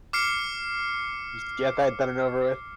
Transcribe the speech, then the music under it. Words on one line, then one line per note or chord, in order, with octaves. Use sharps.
Just get that done and over with.
D6 F6 C7 C#7